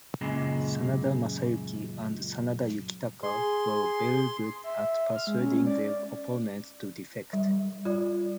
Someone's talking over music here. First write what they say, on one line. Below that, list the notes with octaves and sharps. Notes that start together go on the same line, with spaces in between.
Sanada Masayuki and Sanada Yukitaka were very good at persuading their opponents to defect.
F#2 A#2 C#3 G#3
G#4 C6
E5
F6
G#3
C#4
D5
G3
F4 D5